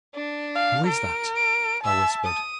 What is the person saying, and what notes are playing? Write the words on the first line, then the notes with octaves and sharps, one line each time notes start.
'Who is that?' I whispered.
D4
F5
A#4 D7
D7
E5 A5 E6
D#6